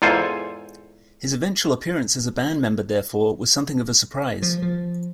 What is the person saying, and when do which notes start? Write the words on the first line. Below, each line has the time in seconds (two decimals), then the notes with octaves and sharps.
His eventual appearance as a band member, therefore, was something of a surprise.
0.02 E2 G#2 F4 A4 C5 G#5
4.42 F3
4.62 F3